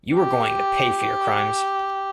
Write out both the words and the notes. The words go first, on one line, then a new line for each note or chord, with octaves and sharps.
You are going to pay for your crimes.
G4